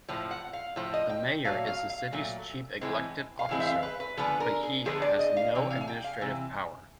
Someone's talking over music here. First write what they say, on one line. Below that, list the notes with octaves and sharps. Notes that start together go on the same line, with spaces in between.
The mayor is the city's chief elected officer, but he has no administrative power.
A2 F3
F#5
F5
A2 F3
D#5
G5
A#2 F#3 A3 F5
F5
F5
A#2 F#3 A3
A2 E3 G#3 C4
F5
A2 E3 G#3 C4
E5
F5
B4
B4
D3 F3 G#3 B3 B4
A#4
G#4
D3 F3 G#3 B3 G#4
D5
D#5
F5
C3 E3
F5
G#5
G5
F5
C3 E3